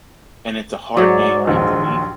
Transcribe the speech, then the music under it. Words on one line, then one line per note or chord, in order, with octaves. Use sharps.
And it's a hard game, right, to beat?
G#2 F#3 C#5 D5
A#1 D#2 C6